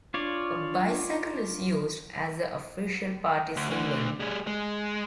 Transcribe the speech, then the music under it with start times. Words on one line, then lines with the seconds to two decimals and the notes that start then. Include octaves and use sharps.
A bicycle is used as the official party symbol.
0.14 D4 F4 C#5 D5
3.56 D2
3.70 D2 D3
4.20 G3 G#4
4.47 G#3